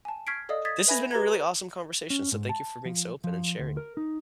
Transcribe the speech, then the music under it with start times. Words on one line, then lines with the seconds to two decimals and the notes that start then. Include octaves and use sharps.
this has been a really awesome conversation, so thank you for being so open and sharing.
0.05 G#5 A5
0.27 C#6 F6 G#6 B6 C7 D7
0.49 A4 D5 D#5 F5 D#6
0.65 D#6 G#6 A6 B6
0.87 B4 E5 G#5 B5 G#6 A#6
1.11 G4 B4 A#5 G#6
2.10 C#4
2.32 G#2
2.49 A5
2.85 F3
3.24 F3
3.59 D2
3.77 A#4
3.97 D#4